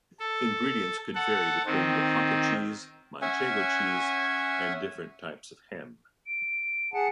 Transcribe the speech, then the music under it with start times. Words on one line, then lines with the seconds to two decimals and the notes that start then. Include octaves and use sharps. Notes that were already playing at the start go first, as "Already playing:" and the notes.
Ingredients could vary between Oaxaca cheese, Manchego cheese and different types of ham.
0.20 A4
1.15 A4 F#5
1.66 D#3 C4
3.22 C#4 E5 F#5 G#5
6.26 D7
6.94 G#4 F#5 A5 C#7